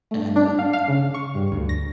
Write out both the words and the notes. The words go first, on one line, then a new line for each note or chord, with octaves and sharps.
And, um
A3
D4
F5
F5
C#3
C#6
G2
D2
A#6